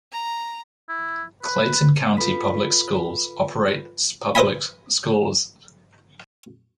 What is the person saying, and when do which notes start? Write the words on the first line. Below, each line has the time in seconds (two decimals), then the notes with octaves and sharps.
Clayton County Public Schools operates public schools.
0.12 A#5
0.89 E4
1.43 B4
2.17 F4 A4 B4 B5 B6
4.35 B4 C5 D#5 E5 G#5 B5